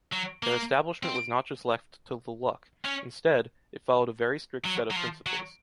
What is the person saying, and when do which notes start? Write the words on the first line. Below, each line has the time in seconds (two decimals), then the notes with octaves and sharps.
Their establishment was not just left to the luck, instead, it followed a very strict set of principles.
0.12 F#3
0.43 A#3
1.03 C4
2.85 C#4
4.65 F#3
4.90 F#3
4.96 F3
5.26 F#3